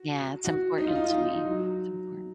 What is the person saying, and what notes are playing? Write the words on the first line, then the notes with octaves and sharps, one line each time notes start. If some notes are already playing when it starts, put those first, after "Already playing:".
Yeah, it's important to me, it's important.
Already playing: F#4
F#4
D#4
F4
D#4
F4
D#4
F4
D#4
F#3